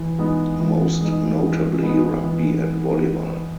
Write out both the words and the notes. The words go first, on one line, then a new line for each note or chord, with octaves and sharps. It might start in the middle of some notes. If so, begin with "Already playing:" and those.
Most notably rugby and volleyball.
Already playing: E3
G#3 B3 D#4
E3
G#3 B3 D#4
E3
G#3 B3 D#4
E3